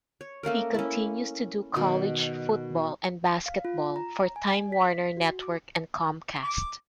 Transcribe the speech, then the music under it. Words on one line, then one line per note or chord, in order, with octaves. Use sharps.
He continues to do college football and basketball for Time-Warner Network and Comcast.
C#5
A3 A#3 C#4 A#4
C#4 E4
B2 D#3
F5
F4
A#5
G#5
B6
F#4
D6
D6